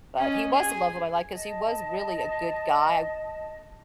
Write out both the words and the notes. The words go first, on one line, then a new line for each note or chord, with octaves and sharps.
But he was the love of my life 'cause he was really a good guy,
C#4 D#5
G#4 G#5
D#5 A5